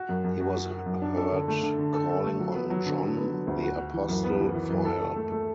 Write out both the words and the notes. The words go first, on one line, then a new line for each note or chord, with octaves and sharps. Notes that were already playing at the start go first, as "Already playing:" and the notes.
He was heard calling on John the Apostle for help.
Already playing: F#4
F#2
F#2
F#4
F#4
F#4
F#2
D4
A4
D3
A3
D3
D3
A4
A4
A3
F#3
B3
F#3
D3
D3
B3
F#3
D2
F#4
F#4
E3
F#2
B3
E3
E3
F#2
A4
A4
A3
A3